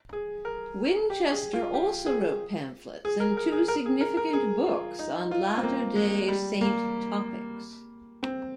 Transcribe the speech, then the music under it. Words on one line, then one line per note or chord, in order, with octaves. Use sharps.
Winchester also wrote pamphlets and two significant books on Latter Day Saint topics.
G#4
A#4
G4
G#4
F4
G4
G#4
G#4
A#4
A#4
G#4
A#4
G#4
A#4
A#4
G#4
F4
D#4
F4
C4
A#3
G#3
G3
A#3
C4